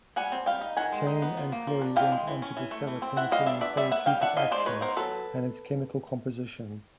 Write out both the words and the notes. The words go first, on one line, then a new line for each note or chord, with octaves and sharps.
Chain and Florey went on to discover penicillin's therapeutic action and its chemical composition.
G3 F#5 G#5
C4
G3 F5 G5
D#4
D#3 F#5 G#5
G#3
D#4
B3
F3
A#3
F3
D4
E3 F5 G5
G#3
E3
C#4
E3
A3
E3
C4
E3 E5 F#5
G3 D#5 F5
D4 D5 E5
B3 D5 E5
G3 D5 E5
B3 E5 F#5
G3 F5 G5
D4 E5 F#5
E3 D#5 F5
G#3 C5 D5
D#4 B4 C#5
B3 A#4 C5
F#3 A4 B4